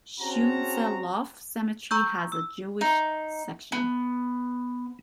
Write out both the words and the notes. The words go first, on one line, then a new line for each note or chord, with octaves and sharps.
Schoonselhof Cemetery has a Jewish section.
C4 C#4 F#4 G#4 A5 A#5
A#5 C#6 E6 G6
E6
D#4
B3